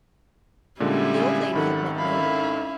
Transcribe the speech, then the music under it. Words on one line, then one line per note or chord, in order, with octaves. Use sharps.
The old lady had met no one.
A#2 D3 G3 G#3 C#4 E4
G#4
G#1 D#3 A4 F#5 B5
C#4 E4 F5 B5